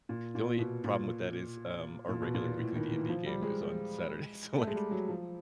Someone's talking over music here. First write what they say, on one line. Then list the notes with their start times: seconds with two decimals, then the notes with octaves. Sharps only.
the only problem with that is, um, our regular weekly D&D game is on Saturday, so, like,
0.09 A#2
0.35 A#2
0.59 B2
0.84 A#2
2.09 A#2
2.22 B2
2.34 A#2
2.59 A2
2.76 D#3
2.92 E3
3.09 F3
3.26 G3
3.42 G#3
4.58 A3
4.67 G#3
4.76 G3
4.91 F#3
5.09 F3